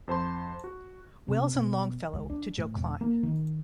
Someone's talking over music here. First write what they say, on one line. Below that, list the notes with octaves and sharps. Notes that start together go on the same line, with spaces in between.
Wells and Longfellow to Joe Klein.
F2 C5 A5 C6
F#4
C3
B2
C#2
D4
A2
E1
A#3
D#3